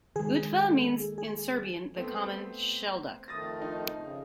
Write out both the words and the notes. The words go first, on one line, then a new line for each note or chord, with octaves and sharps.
Utva means in Serbian the common shelduck.
D#3 G#3 G#4
A#3 A4
G#4
A3 B3 C4
F2 D#3 A3 D#6 A6 A#6
F3 D#4
C#3